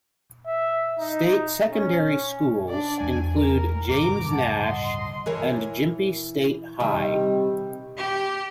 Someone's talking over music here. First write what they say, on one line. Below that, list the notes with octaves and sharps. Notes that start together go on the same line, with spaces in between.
State secondary schools include James Nash and Gympie State High.
E5
D#4
C#4
D4 D5
E2 G#3 G#5
A#4
D1 G2 C#3 A#5 D6
F#5 A5
D#5 C6
E3 A#4 C#5
C3 D#3 G3
G4